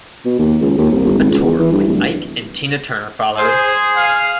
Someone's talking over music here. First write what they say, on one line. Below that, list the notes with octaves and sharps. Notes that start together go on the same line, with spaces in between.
A tour with Ike and Tina Turner followed.
B2
D#2
C#2
D#2
C2
G1
G#1
C#2
E2
E3
G2
D1
G#4 C5
F5